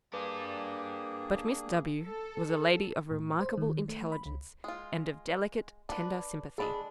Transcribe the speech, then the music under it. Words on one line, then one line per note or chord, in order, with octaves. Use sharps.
But Miss W--- was a lady of remarkable intelligence and of delicate tender sympathy.
A#3 D4 G4 G#4 B4
A4
A2
C5
D#3
A3
B5
C#2
G#3 F4
D4 B4
G#3 D4 G#4 A4 B5